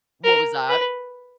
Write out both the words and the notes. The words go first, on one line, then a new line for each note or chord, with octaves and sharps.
What was that?
A#4
B4